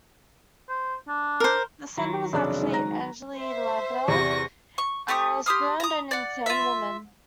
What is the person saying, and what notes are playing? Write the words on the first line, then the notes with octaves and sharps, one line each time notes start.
The sender was actually Angele Laval, a spurned and insane woman.
C5
D4
A#4 C5
D#3 F#3 A#5
F1 C#3 D4 F#6
G#2
A#5 A#6
C5 E5
E2 C3 C#6 A#6
C#6
A3 G4 C#6 D#6
G4 C6 D#6 F6
A#5 D#6
D5 F#5
F4 E5